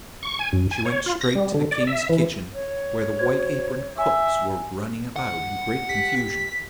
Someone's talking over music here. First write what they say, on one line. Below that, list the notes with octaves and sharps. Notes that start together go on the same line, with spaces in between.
She went straight to the King's kitchen, where the white-aproned cooks were running about in great confusion.
C#6
G#5
F#2
G#5
C#5
F4
A#6
G3
D3
D5
E5
E3
C#5
F#4 C5 G#6
E5 G#5
F#5
G4 B6